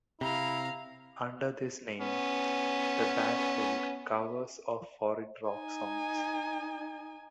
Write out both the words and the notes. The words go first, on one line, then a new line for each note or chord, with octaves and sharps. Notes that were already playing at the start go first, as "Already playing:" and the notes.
Under this name, the band played covers of foreign rock songs.
C3 E4 F5 A#5
B3 C#4
D#4 G#5